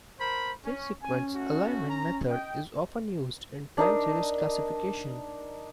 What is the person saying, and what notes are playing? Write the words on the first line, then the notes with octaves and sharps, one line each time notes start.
This sequence alignment method is often used in time series classification.
A#4 C5 B5
C#4
C#4 G#5
A3 F#4
A#5
D#5 G5
D4 D#4 A#4 D#5